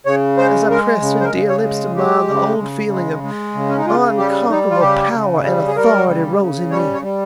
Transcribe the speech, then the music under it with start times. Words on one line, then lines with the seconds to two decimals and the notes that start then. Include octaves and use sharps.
As I pressed her dear lips to mine the old feeling of unconquerable power and authority rose in me.
0.06 C#3 C#5
0.37 G#3 C5
0.70 G#3 A#4
1.01 C#3
1.20 C5
1.24 A#4
1.33 C#3
1.49 C#5
1.64 G#3
1.96 G#3 G4
2.28 C#3
2.59 C#3
2.90 G#3
3.23 G#3
3.54 C#3
3.69 C#4
3.78 D#4
3.86 C#3 F4
4.18 G3 G4
4.50 G3 D#4
4.70 F4
4.81 C#3 G4
5.13 C#3
5.44 G3
5.67 G#4
5.75 G3 A#4
6.07 C#3
6.39 C#3
6.70 G3 C#5
6.94 C#5
7.02 G3